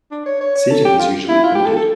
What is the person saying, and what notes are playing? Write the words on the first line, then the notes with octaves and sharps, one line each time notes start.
Seating is usually limited.
D4
C#5
C#5
C#5
A4
G4
F4
E4
F4
G4
A4
A4